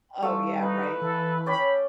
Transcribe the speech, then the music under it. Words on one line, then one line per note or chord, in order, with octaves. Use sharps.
Oh, yeah, right?
G3 A3 F5 E6
D#4 B4
E3 A4
C#4 D5 G5 B5